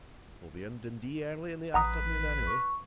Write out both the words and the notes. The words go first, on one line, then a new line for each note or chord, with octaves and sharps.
We'll be in Dundee early in the afternoon, anyway.
A1 B4 F#5 A#5 D#6
C#6